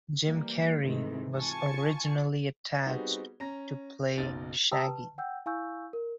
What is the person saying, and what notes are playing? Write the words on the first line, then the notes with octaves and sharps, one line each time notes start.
Jim Carrey was originally attached to play Shaggy.
E3 G3 A#3
G#2 C3 D#3 E3 G#3 A3
F4 G#5 A5 C#6
G3 B3 C4 D#4 F#4 G#4
C#4 A#5 A#6
F#1 B1 D#4 A6
G4 G5 A5 A#5 D#6 E6
B4 A5
F#5 G5 E6 G6
E4 F5 G#5 C#6 E6 G6
A#4